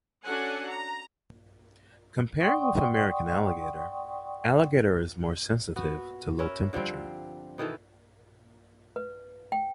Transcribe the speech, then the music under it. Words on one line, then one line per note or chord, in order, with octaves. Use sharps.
Comparing with American alligator, alligator is more sensitive to low temperature.
C#4 D4 F#4 A4 F#5 G#5
A#5
D5 F#5 G5 C6 C#6 D#6
B3 F#4
C#4 A#4 B4 E5
D3 F3 G3 C4
B2 D#3 E3 A4
B4
G5